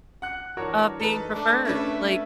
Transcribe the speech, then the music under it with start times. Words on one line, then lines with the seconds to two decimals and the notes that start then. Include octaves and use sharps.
of being preferred. Like,
0.22 F#5 F#6
0.57 E3 D4 F#4 A#4 C#5
1.00 D#4 A4 B4
1.34 A3 D4
1.65 C#4 D4 B4 E5